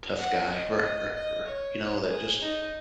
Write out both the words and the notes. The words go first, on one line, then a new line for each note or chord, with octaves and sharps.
tough guy, you know, that just
F#5
D#5
D#5
D#5
C#5
G#4
D#4